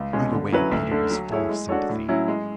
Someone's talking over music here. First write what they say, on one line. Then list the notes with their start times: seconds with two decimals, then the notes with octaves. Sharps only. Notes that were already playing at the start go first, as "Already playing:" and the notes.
Right away Peter was full of sympathy.
Already playing: C#2
0.13 B2 G#3 C#4
0.33 D3
0.52 F#3 C#4 E4 B4
0.72 D2
0.91 D3 A3
1.11 F#3
1.30 A3 E4 G#4 C#5
1.49 G#3
1.69 D4 F#4 A4 C#5
1.89 A2
2.08 F#3 C#4 E4
2.28 G#3